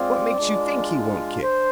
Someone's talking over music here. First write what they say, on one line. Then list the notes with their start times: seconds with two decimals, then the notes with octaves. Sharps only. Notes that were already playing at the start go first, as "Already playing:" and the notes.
"What makes you think he won't kick?"
Already playing: G#3 C4 F4 D5
0.35 G#3 D4 F4
1.40 D4 C5